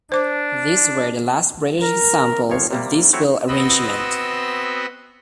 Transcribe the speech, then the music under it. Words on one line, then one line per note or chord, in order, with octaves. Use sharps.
These were the last British examples of this wheel arrangement.
D4 C5 D6
A#4
G1 D#2 F3 C#5 F5
C3 G3 A#3
A3 C4 E4 F#4 C#5
B3 C4 F#4 D#5 B5 E6